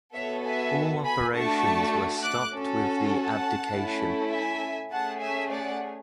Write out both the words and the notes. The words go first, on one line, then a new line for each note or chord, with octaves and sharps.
All operations were stopped with the abdication.
B3 F#4 A4 C#5 E5
E5 G#5
G#5 B5
A3 D4 F#4 A4 A5 C#6
D6 F#6
C#4 F#4 A4
F#5 A5
A3 C#4 E4 A4
E5 G#5
A3 C#4 G#4 F#5 A5
E5 G#5
D5 F#5